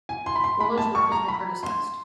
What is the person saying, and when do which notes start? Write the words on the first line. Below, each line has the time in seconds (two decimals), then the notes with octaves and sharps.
Wehler's work has been criticized.
0.09 G#5
0.26 C6
0.36 B5
0.44 C6
0.60 B5
0.78 A5
0.95 C#6
1.12 A#5
1.28 B5
1.63 C6